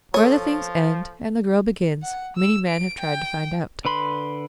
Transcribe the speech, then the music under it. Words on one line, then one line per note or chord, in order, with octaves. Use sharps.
Where the things end and the girl begins many men have tried to find out.
F3 A4 C#5 D#6
F#5
E6
D7
G5
D3 B4 B5 C6